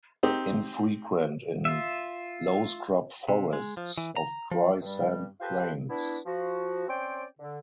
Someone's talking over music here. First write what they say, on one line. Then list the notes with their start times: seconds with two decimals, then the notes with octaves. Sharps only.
Infrequent in low scrub forests of dry sand plains.
0.23 C4 D#4 G4
1.65 F4 E5
3.29 C3
3.53 G#3
3.77 F3
3.98 E3
4.16 A#5
4.51 F3
4.81 G2 G3
5.41 F4 G4 A4 B4 C5
5.89 B3 D4 E4
6.25 F3 F#4
6.88 C4 C#4 C5 D5 G5
7.39 D3